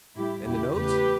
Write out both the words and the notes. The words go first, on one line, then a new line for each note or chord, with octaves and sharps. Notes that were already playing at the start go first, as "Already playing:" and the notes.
"And the notes?"
A2 G3 E4 G4
E2 C#3 G3 E4 G4
E2 C#3 E3 A3 G4 B4